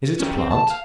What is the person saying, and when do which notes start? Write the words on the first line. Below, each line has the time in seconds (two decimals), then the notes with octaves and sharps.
Is it a plant?
0.20 C#4 G4
0.37 C4
0.50 A5
0.70 F5